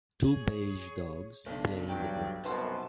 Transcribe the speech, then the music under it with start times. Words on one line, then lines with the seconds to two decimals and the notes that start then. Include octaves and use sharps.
Two beige dogs play in the grass.
0.25 G#4 C#5
1.46 B1 C#3 A3 D4
1.88 G2 F#3 D5 G5
2.45 C2 F#2 B2 D#4 B4 A5 C6